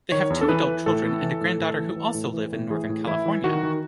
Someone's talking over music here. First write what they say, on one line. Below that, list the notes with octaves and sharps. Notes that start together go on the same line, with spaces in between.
They have two adult children and a granddaughter who also live in Northern California.
D#3 C#5
E2
A4
E3 B4
E3
A2 A4
E3
E3
A2
A2
E3
E3
A2
E3
A2
E3 G#4
A2
E3 E4
E3
D#3 F#4
D#3